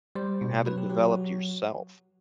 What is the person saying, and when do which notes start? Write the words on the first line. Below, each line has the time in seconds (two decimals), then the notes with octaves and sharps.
you haven't developed yourself.
0.15 G3 C5
0.41 B2
0.66 F#3 B4
0.78 G4
0.90 F#3 G4
1.03 F#4